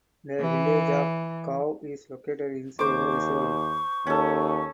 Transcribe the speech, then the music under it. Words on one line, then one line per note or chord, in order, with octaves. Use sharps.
The village of Kaw is located inside the reserve.
E3
D#2 C5 C#6 D6
D#2 C#4 A4